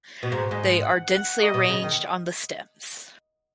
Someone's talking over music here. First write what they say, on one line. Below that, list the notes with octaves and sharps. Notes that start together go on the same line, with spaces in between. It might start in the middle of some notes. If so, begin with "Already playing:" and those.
They are densely arranged on the stems.
B2 F#4
G#2
G#2 D#5
F#5
F#5
D#5
B2
C#3
D#3